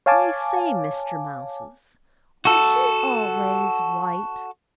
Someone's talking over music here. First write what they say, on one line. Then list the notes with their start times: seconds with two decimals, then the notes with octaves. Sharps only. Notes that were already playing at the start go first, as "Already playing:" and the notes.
"I say, Mr. Mouses, was you always white?"
0.06 C#5 F5 G#5 A5 D6
2.45 F#4 A4